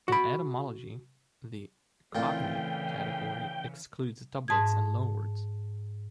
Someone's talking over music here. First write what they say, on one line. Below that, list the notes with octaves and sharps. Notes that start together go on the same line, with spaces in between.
In etymology, the "cognate" category excludes doublets and loanwords.
F#4 B5
A#2 C#3 E3 A3 C4 E4 F4 G5
G#2 A5 D#6 G#6